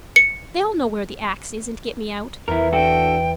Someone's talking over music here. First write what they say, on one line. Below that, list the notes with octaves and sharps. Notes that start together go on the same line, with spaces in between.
They'll know where the axe is and get me out.
C#7
E2 E4 A#4
D4 F#4 A4 G5